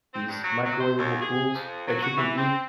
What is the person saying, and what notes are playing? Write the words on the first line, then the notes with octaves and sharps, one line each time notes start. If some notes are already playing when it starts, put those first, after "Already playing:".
these microwavable foods that you can eat.
C4
G2
F#3
F#3
C5
D#2
G#4
F2
F#3
F#4
E3
C4